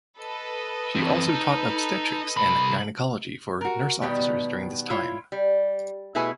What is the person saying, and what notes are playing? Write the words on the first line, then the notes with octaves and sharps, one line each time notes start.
She also taught obstetrics and gynecology for nurse officers during this time.
A4 B4 D#5
E3 C4
D#4
C2 B5
F#4 A#4
B2 D#3 G3 B3
E4 F4 C#5
G3
B2 A3 E4 G#4 B4 G#5